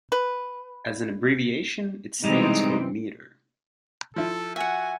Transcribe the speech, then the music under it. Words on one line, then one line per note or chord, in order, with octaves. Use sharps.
As an abbreviation, it stands for metre.
B4
C3 E3 G3 G#3 C4 D#4
F3 E4 A4
F#4 E5 F#5 G#5